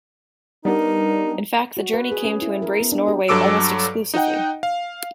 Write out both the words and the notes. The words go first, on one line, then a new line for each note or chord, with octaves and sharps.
In fact, the journey came to embrace Norway almost exclusively.
G3 B3 D4 D#4 A#4
F#4
B4
G#4
C#4
E4
A#4
B3
D4
G4
G2 F#3 A4 D6 E6 D7
D#4 D#5 F#5 G5
F5